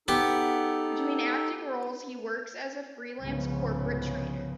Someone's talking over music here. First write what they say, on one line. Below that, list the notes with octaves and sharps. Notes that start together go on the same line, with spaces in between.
Between acting roles he works as a freelance corporate trainer.
B3 D#4 G4 A4
C2 G#2 C#3 F3 B3